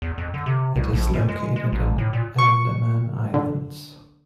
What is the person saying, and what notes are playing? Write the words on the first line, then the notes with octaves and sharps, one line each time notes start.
It is located in the Andaman Islands.
E2
F2
D3
C3
C2
A#1
F#2
G#3
G#3
A1
A2
A#2
C#6
D3